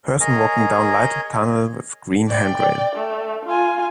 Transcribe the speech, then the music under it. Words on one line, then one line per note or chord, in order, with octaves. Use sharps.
Person walking down lighted tunnel with green handrail.
G#4 A#4 C#5 D#5 G#5 A#5
D5 G5
A3
F4 G#5